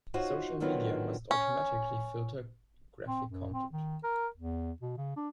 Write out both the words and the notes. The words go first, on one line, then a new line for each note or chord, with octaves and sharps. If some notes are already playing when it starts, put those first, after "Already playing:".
Social media must automatically filter graphic content.
D#4 F4 F#4 C5 C#5
D3 D#3 F#3 B3 C4 F4
C#4
C4
F#2
C4
D#3
A#4
E2
B2
C#3
D4